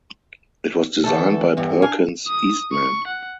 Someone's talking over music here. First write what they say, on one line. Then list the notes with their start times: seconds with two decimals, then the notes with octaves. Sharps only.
It was designed by Perkins Eastman.
1.04 D2 E3 A4
1.57 E2 G2
1.82 D4 F5 G#5
2.28 D#6
2.72 C#6
3.07 F#5